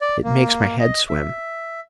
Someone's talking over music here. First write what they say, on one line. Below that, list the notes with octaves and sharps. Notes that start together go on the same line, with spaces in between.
"It makes my head swim."
D5
A#3
D#5
E5